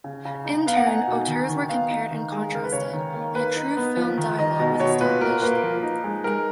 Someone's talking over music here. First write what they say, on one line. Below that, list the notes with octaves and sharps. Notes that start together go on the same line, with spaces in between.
In turn, auteurs were compared and contrasted, and a true film dialogue was established.
C#3
C#3
D#4
B3 F5
F#5
D#4 G#5
B2
D#3
D#3
B3 F5
D#4
D#3
G#3
C#3 A#4
B4
C#3 C#5
D#3
A#3
A#3 B4
D#4
B3
F3
D#3
D#3 D#5
B2 D#5
B2 C#5
A#2 B4
A#2 A#4
A#3 B4
F3
D#4
G#3
G#3 A#4